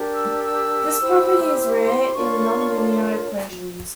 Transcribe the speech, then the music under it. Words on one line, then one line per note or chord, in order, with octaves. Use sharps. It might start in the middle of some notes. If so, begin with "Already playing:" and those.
This property is rare in nonlinear equations.
Already playing: D4 G4 A#4
E6
E6
E4 G4 C5
C6
D4 F4 A#4 C#5 C#6